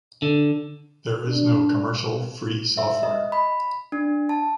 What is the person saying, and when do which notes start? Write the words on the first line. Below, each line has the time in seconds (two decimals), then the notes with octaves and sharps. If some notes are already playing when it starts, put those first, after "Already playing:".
There is no commercial free software.
0.22 D3
1.28 D4
2.77 E5
3.03 D#5
3.32 B5
3.92 D4
4.29 A5